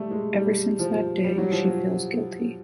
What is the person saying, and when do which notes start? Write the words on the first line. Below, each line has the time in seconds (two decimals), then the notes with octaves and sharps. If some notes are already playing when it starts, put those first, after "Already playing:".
Ever since that day she feels guilty.
Already playing: G3 A3
0.11 G#3
0.34 G3
0.79 F3
1.24 G3
1.38 F#3
1.52 F3
1.64 F#3